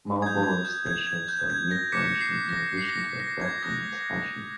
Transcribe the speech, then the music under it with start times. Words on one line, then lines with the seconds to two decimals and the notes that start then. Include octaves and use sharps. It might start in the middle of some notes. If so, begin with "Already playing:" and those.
Marlborough station saw new furnishings in addition to a platform extension.
0.22 D#6 G6 G#6
0.43 G#6
0.65 G6
0.86 G#6
1.07 G#6
1.28 G6
1.50 G#6
1.71 A#6
1.92 D6 F#6 B6 C#7
2.21 C7
2.49 A#6
2.77 C7
2.88 A#6
2.99 B6
3.20 A#6
3.41 G#6
3.62 D#6 F#6 A#6